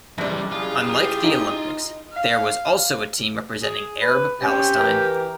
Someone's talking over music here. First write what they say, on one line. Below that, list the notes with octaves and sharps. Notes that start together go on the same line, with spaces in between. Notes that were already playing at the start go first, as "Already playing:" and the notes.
Unlike the Olympics, there was also a team representing Arab Palestine.
F#1 C3 E3 G3 D5
E4 F4 G4 G#4
D#4 D#5
F5
G#4
B4
C4 C#4 G4
E3 A#4